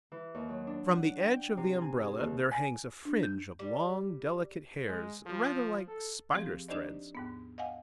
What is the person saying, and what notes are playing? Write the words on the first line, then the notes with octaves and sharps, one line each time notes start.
From the edge of the "umbrella" there hangs a fringe of long, delicate hairs, rather like spiders' threads.
E3
D#2
F#3
D4
F#5
G5
C3
G#5
G#4
D#2
G#5
D4
G6
G3
G#3
F3
A4
F3 C4 G4 G#4
D4 D#4 G4 C5 D5 D#5
D#2 G#2 B3
D#5 F5 F#5 G#5